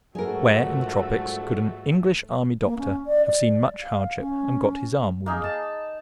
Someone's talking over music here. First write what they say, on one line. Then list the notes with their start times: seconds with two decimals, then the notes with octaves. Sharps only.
Where in the tropics could an English army doctor have seen much hardship and got his arm wounded?
0.15 A#1 G#2 F#3 G#3 A3 F#4 G#4 A#4
2.65 A#3
2.78 C#4
3.06 D5
3.25 D5
3.82 F5
4.19 C#4
5.26 A#3 D#4 G#4
5.44 A5